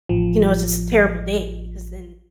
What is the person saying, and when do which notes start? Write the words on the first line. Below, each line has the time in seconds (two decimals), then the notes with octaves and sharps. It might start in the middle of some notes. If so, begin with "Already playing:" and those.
you know, it's just a terrible day because then
0.09 A1 F3